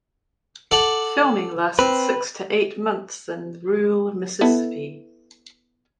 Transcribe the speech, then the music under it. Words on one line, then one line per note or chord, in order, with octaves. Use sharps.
Filming lasted six to eight months in rural Mississippi.
A4 D5 F#5
C4 B4
B3 E4 A4